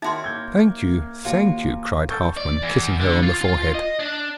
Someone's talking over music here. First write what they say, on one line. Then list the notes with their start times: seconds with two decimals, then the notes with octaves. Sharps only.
'Thank you, thank you!' cried Halfman, kissing her on the forehead.
0.02 D#3 D#4 E4 F#4 C#5 C6
0.24 A#3 G6 G#6
1.25 D#2 F4 F#4
2.09 A4 C#6 G6 A6
2.37 D5
2.62 E2
3.00 D3
3.23 F4
3.41 F4
3.75 D#5
4.00 D4